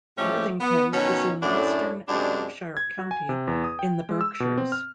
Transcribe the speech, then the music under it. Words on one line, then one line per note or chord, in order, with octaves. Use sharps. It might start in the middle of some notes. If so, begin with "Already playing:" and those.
Worthington is in western Hampshire County, in the Berkshires.
A2 F3 G#3 A3 C#4 G4
B3
B2 D#3 F#3 C#4
F#2 A2 D4
F#2 C3 G#3 D4
G#6
F#4
G#5
C3
E2
D#6
G5
G#3
E6
B2
C4
F6